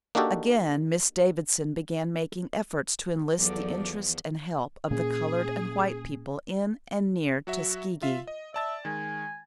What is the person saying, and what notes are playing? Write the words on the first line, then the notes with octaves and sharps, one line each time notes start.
Again Miss Davidson began making efforts to enlist the interest and help of the coloured and white people in and near Tuskegee.
A#3 D4 D#4 F#4 G4 A4
E2 F3 F#3 A4 D5
A#2 A#3 C#4 G#4
F#3 F#4 E5
F4 E5 F5
D#5
D5 E5 A5 A6
D#3 G#3 G#5